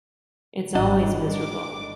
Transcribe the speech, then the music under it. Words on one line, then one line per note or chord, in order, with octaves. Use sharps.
It's always miserable.
G#1 D4 D#5
D6